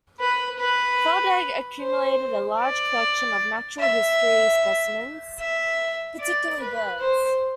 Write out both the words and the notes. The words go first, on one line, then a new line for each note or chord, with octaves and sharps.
Feldegg accumulated a large collection of natural history specimens, particularly birds.
B4
B4
C5
D5
E5
E5
D5
B4
C5